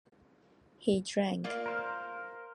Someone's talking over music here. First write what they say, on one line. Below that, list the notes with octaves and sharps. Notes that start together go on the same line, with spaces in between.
He drank.
A#3 F4 D5
A#4 C5 F5